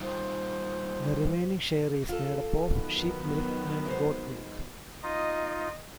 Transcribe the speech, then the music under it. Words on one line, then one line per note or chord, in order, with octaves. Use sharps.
The remaining share is made up of sheep milk and goat milk.
G3 D#4 F4 C5
F4 A4
D#3 F#3 B3
G#3 D#4 C5
D#4 F4 D#5